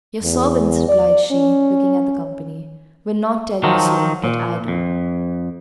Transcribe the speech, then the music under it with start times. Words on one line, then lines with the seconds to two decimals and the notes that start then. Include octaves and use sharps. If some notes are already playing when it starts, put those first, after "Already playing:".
"Your servants," replied she, looking at the company, "will not tell you so; but I do."
0.22 E2
0.89 D5
1.31 C#4
3.63 D#3 F3 F#3
4.24 A#2
4.68 F2